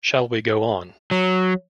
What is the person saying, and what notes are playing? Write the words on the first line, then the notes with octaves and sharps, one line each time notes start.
Shall we go on?
F#3